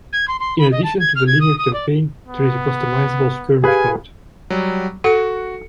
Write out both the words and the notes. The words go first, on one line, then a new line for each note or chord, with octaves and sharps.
In addition to the linear campaign, there is a customizable skirmish mode.
G#6
C6
C6
B5
D#5
A5
G#6
F6
G#6
D#6
D#6
D5
B3
G4 G#4 B4 F5 G#5
F#3 G3
F#4 A4 F#5 C#7